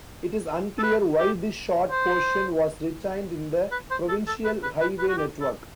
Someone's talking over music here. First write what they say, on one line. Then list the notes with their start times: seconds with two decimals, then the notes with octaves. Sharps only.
It is unclear why this short portion was retained in the provincial highway network.
0.78 A4
0.83 B4
1.19 G4
1.91 C5
3.72 B4
3.91 C5
4.09 A4
4.27 A4
4.45 B4
4.63 B4
4.81 B4
4.99 B4
5.08 F#4
5.17 G4
5.41 A4